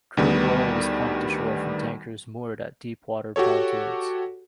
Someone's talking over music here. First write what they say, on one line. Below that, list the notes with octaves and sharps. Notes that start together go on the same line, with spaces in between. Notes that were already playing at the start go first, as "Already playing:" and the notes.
Crude oil was pumped ashore from tankers moored at deep-water pontoons.
D2 D#3 G3 B3
F#4 G4 A4 C#5